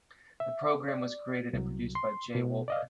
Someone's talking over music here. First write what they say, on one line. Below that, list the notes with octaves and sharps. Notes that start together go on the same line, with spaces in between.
The program was created and produced by Jay Wolpert.
E5
D5
C2 F#3
C6
B2
D5 D#5 F5